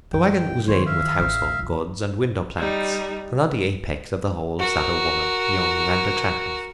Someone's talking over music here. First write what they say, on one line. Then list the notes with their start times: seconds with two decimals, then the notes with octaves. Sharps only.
The waggon was laden with household goods and window plants, and on the apex of the whole sat a woman, young and attractive.
0.13 F#2 G5
0.68 D#3 C5 C#5
0.86 E5 F5
1.19 A1
1.59 F2 E3
2.57 G3 D#4
4.59 F#4 A#4